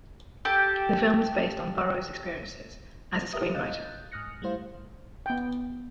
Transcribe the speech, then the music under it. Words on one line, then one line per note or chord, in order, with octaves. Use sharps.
The film is based on Burrows' experiences as a screen writer.
G4 A4
G4 A#4 B4 E5 D#6
D#5 F5 F#6 G6 A6
G#2 D#6 F6 F#6 A#6 C#7
G3 A3 E4 C5 F5
B3 G5